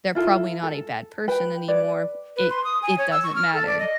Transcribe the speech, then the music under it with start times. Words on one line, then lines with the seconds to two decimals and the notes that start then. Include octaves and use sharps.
they're probably not a bad person anymore. It it doesn't matter."
0.15 E4 F4 A4
0.63 A4
1.28 B4 G5
1.68 B4 D5
2.36 B4
2.50 C6
2.64 D#6
2.82 G#5
2.98 C#5
3.11 E6
3.24 C#6
3.36 F6
3.54 A4
3.67 D5
3.79 D#5